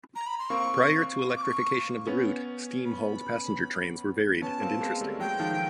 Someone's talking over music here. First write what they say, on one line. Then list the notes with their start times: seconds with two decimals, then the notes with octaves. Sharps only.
Prior to electrification of the route, steam hauled passenger trains were varied and interesting.
0.16 A#5
0.27 B5
0.39 C6
0.50 A#3 C4 C#6
1.28 C#6
1.36 D6
1.43 C#6
2.07 B3 C#4
2.85 B5
4.42 B3 C#4 A5
4.61 A#3 C4
4.81 G#3 A#3
5.01 G3 A3
5.20 F#3 G#3 G5
5.40 D#3 F3